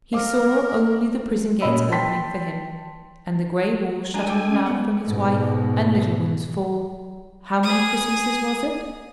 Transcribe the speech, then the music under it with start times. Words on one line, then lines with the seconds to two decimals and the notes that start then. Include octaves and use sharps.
He saw only the prison gates opening for him, and the gray walls shutting him out from his wife and little ones for--how many Christmases was it?
0.13 A#4 F5 D6
1.61 A#2 C#4 D#5 B5 E6
1.92 G5 A5 C6 B6
4.14 G#3 D4 G#5 A#5
4.27 A4 G5 D6
4.49 C#4
4.66 B3 F#5
5.03 G#2 B2
7.63 G#4 D#6